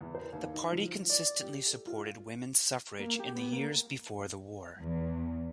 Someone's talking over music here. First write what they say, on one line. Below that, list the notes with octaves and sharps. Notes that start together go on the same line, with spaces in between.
The party consistently supported women's suffrage in the years before the war.
E2
C5
D#2
D#4
F3
D5
G4
A4
F4
A#3
G4
B3
A#3
E2